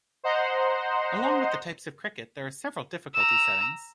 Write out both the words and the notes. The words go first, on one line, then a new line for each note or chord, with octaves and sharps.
Along with the types of cricket there are several difficulty settings.
C5 D#5 F#5 A#5 C6
A#5 E6